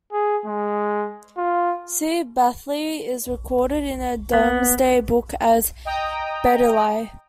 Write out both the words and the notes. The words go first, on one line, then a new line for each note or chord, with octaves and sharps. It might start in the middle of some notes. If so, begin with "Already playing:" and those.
C Bathley is recorded in the Domesday Book as Badeleie.
G#4
G#3
F4
B3
D#5 G5 A#5 D#6